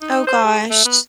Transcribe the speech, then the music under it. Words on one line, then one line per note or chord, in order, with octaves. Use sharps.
Oh gosh.
D#4
C5
G#4
A3
B3